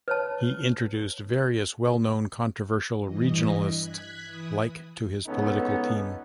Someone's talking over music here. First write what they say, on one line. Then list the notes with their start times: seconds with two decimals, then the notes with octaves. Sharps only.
He introduced various well-known controversial regionalist like to his political team.
0.08 B4 C#5 A5
3.03 G2 E3 D#5
3.76 F#6 G#6 B6
4.23 E3 E4 D#6
5.26 C#2 B3 C#4 D#4 A4